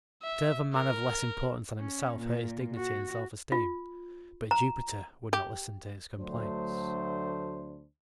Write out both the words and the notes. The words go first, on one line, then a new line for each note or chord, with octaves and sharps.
To serve a man of less importance than himself hurt his dignity and self-esteem; but Jupiter would not listen to his complaints.
E5
A#4
C#4
A#2
F#4
F4
A#5
G4
D2 F#3 A3 D4 C5